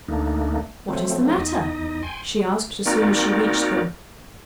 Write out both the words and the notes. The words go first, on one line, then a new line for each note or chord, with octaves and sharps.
"What is the matter?" she asked as soon as she reached them.
D2 A3 A#3 D4 D#4
F3 F#3 A3 C4
E2 D#4 D#5
G5 G#5 C6
A#3 C4 D#4 F#4 A#4 D5